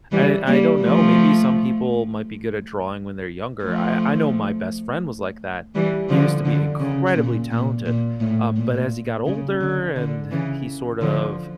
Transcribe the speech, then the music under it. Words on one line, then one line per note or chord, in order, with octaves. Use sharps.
and I don't know, maybe some people might be good at drawing when they're younger, I I know my best friend was like that, he used to be incredibly talented, um, but as he got older and he sort of
E3 G3
G3 A#3
F3 A3
F3 A3
E3 G3
D3 F3
D3
C#3
A#2
A#2
A#2
A2
A#2
C#3
D3
D3
C#3 E3
D3 F3